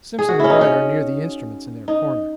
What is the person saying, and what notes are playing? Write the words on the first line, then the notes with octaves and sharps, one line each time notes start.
Simpson and Wright are near the instruments in their corner.
G#4
F#4
C#4 E4
D#4
C#4
D#4